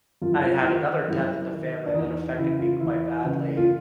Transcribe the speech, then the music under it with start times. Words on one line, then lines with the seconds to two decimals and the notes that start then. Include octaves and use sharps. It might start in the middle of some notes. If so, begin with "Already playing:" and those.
I had another death in the family that affected me quite badly,
0.22 F#2 F4
0.33 E4
0.42 F4
0.61 E4
0.65 D#3 F4
1.08 F#2 E4
1.52 D#3
1.86 D4
1.94 E2 D#4
2.38 C#3 E3 E4
2.59 F4
2.81 E2 E4
3.24 C#3 E3
3.57 F4